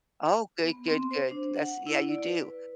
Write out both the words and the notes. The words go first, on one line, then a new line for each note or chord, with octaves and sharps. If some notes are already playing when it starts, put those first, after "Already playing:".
Oh, good, good, good. That's yeah, you do.
B3
C4
C5
D4
F#5
E4
D5
B4